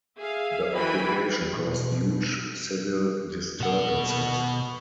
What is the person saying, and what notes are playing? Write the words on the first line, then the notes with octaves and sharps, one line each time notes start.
The occupation caused huge civil disturbances.
G#4 E5 F5
E3 F#4 G5 G#5 B5
B2
B2 F#5